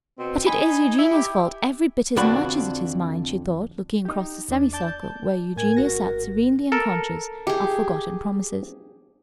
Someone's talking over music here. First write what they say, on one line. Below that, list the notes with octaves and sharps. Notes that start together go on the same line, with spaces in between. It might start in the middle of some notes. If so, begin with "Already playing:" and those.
"But it is Eugenia's fault every bit as much as it is mine," she thought, looking across the semicircle, where Eugenia sat serenely unconscious of forgotten promises.
B2 C4
D#4 G#5 B5
E4
G4
F2 D3 D4 F#4 B5
D#4 G4
E2 D4
D5 A5 G6
A2 A#4 G#5 G#6
G#1 F#4 A#6
A4 A#4
G4 G#4